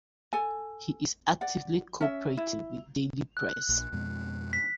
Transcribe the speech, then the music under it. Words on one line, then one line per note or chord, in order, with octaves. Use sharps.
He is actively cooperating with the daily press.
A4 G#5
D5 F#5
C#4 E5
E4
F#6
A#1
F2 B2 G#3
B6